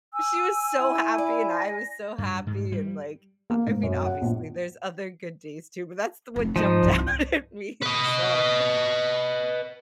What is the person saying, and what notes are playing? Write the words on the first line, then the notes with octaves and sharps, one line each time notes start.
she was so happy, and I was so happy, and, like, I I mean, obviously, there's other good days too, but that's the one jumped out at me, so,
G#5 E6
E4
D5
A#6
G2
G#2
G3
A#3
G#2
F#2
F#2
F#5
A#1
F1 F2
G#2 F3 D#4
C2 G2
B4 D#5